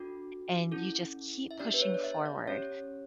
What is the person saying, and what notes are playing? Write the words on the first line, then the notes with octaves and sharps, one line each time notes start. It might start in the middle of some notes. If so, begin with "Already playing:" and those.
and you just keep pushing forward,
Already playing: D4 F#4 A4
C#4 E4 A4
E5
B3 D4 G4 D5
B4
C#5
D5
E5
D5
C#4 G4 C#5